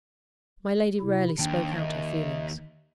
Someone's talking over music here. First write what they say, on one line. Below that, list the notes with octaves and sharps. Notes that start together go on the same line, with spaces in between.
My lady rarely spoke out her feelings.
C3 E4
D#2 D4 G5
D#5 E5